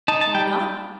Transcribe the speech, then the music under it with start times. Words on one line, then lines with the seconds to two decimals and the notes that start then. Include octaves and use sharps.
"Why not?"
0.08 D#4 A5
0.21 A5
0.34 G3 G5